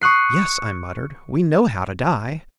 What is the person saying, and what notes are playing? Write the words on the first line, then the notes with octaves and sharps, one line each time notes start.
"Yes," I muttered, "we know how to die!"
C#6 D#6 F#6 C7